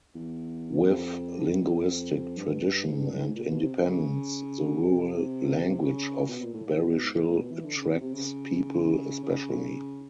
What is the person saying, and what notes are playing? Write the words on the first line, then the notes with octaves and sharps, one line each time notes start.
With Linguistic Tradition and Independence the rural language of Barishal attracts people especially.
E2
F2
F2
G2
G#2
G2
F#2
A2
G#2
A#2
B2
C3
C#3
C3
C#3
B2
A#2
A2
A2
B2
B2
G#2
A2
A#2
B2
E3
D3
C#3
C3
C3
C#3
C#3